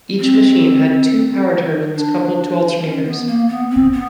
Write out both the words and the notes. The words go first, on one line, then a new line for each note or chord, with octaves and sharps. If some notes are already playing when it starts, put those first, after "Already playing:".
Each machine had two power turbines coupled to alternators.
C4
D4
C#4
B3
A#3
B3
C4
B3